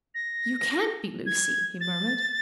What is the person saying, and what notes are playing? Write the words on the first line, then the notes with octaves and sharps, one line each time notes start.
"You can't be Lucy!" he murmured.
A#6
G#6
A6